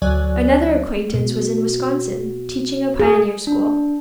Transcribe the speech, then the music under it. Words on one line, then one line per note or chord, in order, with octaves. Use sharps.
Another acquaintance was in Wisconsin, teaching a pioneer school.
D2 F#3 C#5 D5 G#5 F#6
B2
G#4
D4